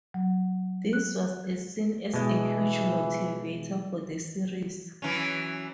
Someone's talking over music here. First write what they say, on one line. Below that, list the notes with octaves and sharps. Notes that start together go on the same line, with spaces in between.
This was a seen as a huge motivator for the series.
F#3
F#6
B2 E3 G#3
E3 F#3 C#4